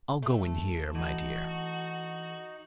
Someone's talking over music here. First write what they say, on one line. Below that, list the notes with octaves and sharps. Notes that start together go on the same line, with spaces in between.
"I'll go in here, my dear."
A3
E3 D#4 F#4